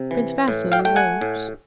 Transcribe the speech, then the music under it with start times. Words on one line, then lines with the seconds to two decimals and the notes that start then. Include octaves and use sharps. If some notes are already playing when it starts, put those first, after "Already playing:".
Prince Vasili rose.
Already playing: C3
0.11 E3
0.48 A2
0.72 F5 G5
0.85 A3 G5
0.96 F#5 G#5
1.21 A2